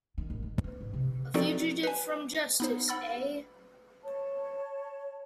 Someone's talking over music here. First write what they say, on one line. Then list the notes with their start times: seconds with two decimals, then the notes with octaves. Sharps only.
A fugitive from justice, eh?
0.18 D#3
0.30 G#1
0.43 D#3
0.64 B3
0.81 G#2
0.93 C3
1.34 F3 C4 D#4 F#4 A4 D5
1.83 B4 G#5
2.60 B3 D#4 C5
2.88 F#5 B5 E6 A6
4.02 C#5 A5